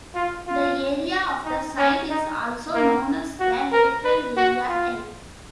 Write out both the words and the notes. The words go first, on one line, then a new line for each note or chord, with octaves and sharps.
The area of the side is also known as the lateral area, "L".
F4
F4
D#4
C#4
D#4
A#3
F#4
A#4
B4
F#4
F4